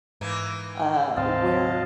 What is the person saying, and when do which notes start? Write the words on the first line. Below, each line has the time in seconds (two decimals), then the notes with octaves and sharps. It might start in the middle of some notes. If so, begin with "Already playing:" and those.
uh, where
0.21 G#2 E3 A#3 D#4
1.17 D2 G#2 C3 C4 D#5 F5 A5